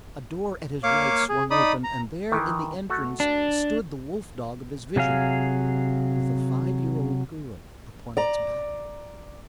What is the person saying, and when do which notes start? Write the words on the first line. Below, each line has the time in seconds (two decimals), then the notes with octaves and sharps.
A door at his right swung open and there in the entrance stood the wolf-dog of his vision with a five-year-old girl upon its back.
0.83 A#3 C#5 F5 D6
1.29 G#4
1.51 D#4 D5 B5 D#6
1.84 A#5
2.32 D#3 E3
2.90 A3 F#4 A4
3.20 D4
4.96 C3 F#3 G#4 F5
8.17 D5 A#5